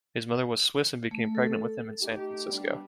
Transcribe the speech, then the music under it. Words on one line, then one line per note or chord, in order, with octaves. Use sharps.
His mother was Swiss and became pregnant with him in San Francisco.
A3
A4
A3 D#4 G4
G3 B3 D4